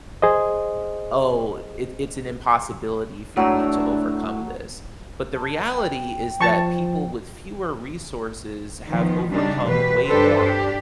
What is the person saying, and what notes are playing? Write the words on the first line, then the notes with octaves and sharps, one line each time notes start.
"Oh, it it's an impossibility for me to overcome this." But the reality is that people with fewer resources have overcome way more.
G#4 C5 D#5
A2 F#3 D4 E6
A5
G5
F3 A5 C#6
D#3 F3 B3
C#3 G3 D4 D#4
B2 E3 G4 B4
G2 D4 G4 A4 B4 C5
D4 G4